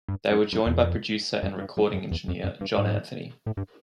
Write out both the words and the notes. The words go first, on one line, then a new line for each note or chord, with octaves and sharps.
They were joined by producer and recording engineer John Anthony.
G2
F#2
F#2
E2
F2
F#2
G2
F#2
F#2
E2
F2
F#2
G2
G#2
A2
G2